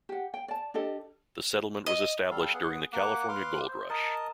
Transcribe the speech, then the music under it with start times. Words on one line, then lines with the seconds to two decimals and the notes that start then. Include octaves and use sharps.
The settlement was established during the California Gold Rush.
0.09 G4 F#5
0.34 G5
0.48 D5 A5
0.74 D4 G4 A4 D#5
1.86 D#5
2.31 G3 A4 F5
2.54 B3 G#4 F#5
2.93 A#3 F#5 D6
3.29 B4 F5 C6 D6
3.69 C5
3.90 A#4 D#5 A5